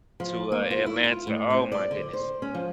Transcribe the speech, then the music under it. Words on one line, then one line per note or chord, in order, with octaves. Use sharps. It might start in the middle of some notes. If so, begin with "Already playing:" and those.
to, uh, Atlanta. Oh, my goodness.
F3
A#3
F4
E4
F4
A2
C4
D5
D3
C5
C#4
F3